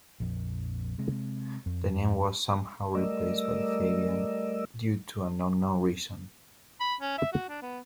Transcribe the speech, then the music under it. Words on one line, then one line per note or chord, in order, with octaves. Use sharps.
The name was somehow replaced by Fabian due to an unknown reason.
A#1 F2
C3 G#3
F2
G3 A3 A#4 D5 D#5 E6
B5
C#4
E5
F#4
D4
B3